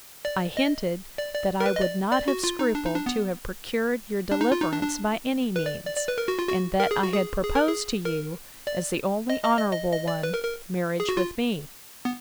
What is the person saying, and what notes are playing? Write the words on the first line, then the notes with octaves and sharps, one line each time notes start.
I hinted, that I would not have scrupled to have procured your deliverance by any means; and that I had proposed to you, as the only honourable one, marriage with me.
D5
D#5
D5
D5
A#4
B4
D#5
D5
D5
F#4
F4
D#4
D4
D#4
D4
B3
D4
D#4
F4
D#4
D4
D4
B4
D5
D5
D5
B4
A#4
F#4
F4
F#4
A#4
G#4
F#4
G#4
G#4
A#4
G#4
A#4
D5
D#5
D#5
D#5
D#5
D#5
D5
B4
A#4
A#4
G#4
F#4
F4
B3